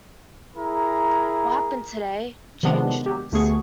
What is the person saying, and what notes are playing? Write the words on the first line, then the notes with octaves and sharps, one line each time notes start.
What happened today changed us.
E4 G#4 A#4 A#5
C3 D#3 F3 G#3 B3 D4
G4
D2 D3 A3 B3 G#4 C#6